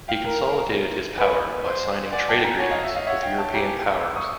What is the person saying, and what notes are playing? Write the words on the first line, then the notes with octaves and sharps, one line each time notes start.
He consolidated his power by signing trade agreements with European powers.
F5 G5
A#4
B4 F#5 G#5
C5
D5 F#5 G#5
G5 A5
G#5 A#5
C#5 F#5 G#5
D#5 F5
E5
D#5 F5
C#5 E5 F#5
F5 G5
G5 A5
G4 G#5 A#5
D6 E6
C#6 D#6